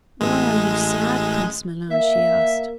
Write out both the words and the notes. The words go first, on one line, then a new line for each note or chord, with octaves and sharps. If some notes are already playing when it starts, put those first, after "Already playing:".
"Why are you sad, Prince Milan?" she asked.
A1 G#3
A#3 E5